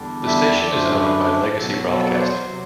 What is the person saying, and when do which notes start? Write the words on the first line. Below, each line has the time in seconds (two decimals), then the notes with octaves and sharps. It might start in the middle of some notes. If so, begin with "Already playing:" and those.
The station is owned by Legacy Broadcasting.
Already playing: E2 D3 G3 D4
0.27 E5
0.61 D5
0.71 F#2 D3 A3 D4 C5
1.00 B4
1.59 B2 F#3 B3 A4
1.89 A4
2.13 D5
2.18 C5
2.47 C3 F#3